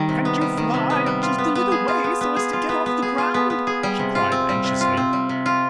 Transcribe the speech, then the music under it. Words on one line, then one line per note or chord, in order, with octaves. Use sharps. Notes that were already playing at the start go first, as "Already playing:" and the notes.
"Can't you fly up just a little way so as to get off the ground?" she cried anxiously.
Already playing: D#3 G3
C3
B3
G3
D#3
C3
B3
G3
F4
B3
B3
G#4
F4
B3
B3
G#4
F4
B3
B3
G#4
F4
B3
B3
G#4
G3
C3
F4
C4
G3
C3
F4
C4
G3
C3
F4